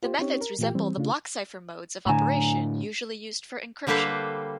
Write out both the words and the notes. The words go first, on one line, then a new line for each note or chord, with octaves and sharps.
The methods resemble the block cipher modes of operation usually used for encryption.
F4 G4 C5
C4 C#4 D#4 G4 C#5
A#4
A#2 E3 A3 F4 G4 G5
E3 G3 C4
C#3 A3 D4 F4
A2 D3 G#5 A#5
D3 G3 A#3 A4 B4 C5